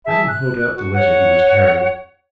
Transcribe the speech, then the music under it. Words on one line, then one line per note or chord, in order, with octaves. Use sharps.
Adam held out the letter he was carrying.
G#4 E5 A5
F#6
F#4
C#5 F#5